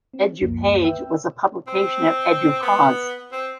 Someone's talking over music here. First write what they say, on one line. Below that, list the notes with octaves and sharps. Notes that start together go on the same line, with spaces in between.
Edupage was a publication of Educause.
C4
C#2 F#2 F3 A#3
B4 E5 G5 E6
C4
B3
C4